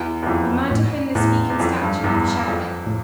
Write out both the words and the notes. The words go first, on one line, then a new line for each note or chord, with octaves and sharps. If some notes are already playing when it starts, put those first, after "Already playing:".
He might have been the speaking statue of the shadow.
Already playing: E2
E2
F2
A2
E2 A2
E2
F2
G2
E2 G2
F2
A2